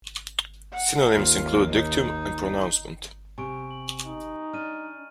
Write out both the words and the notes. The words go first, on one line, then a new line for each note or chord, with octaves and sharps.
Synonyms include dictum and pronouncement.
F#5
D#2 F4
D#4
C3 G#5 C#6 D7
F#7
D#4
D4 F6 D#7